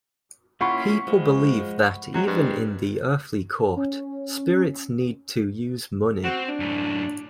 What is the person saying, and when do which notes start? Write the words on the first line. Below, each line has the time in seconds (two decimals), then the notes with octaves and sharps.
People believe that even in the earthly court, spirits need to use money.
0.61 A#3 C#4 E4 F4 F#5 B5 C#6
1.07 F3 G#3
2.14 F#3 G#3 C4
2.27 G2
3.76 C#4
6.24 C4 F#4
6.48 D4
6.60 F#2 A2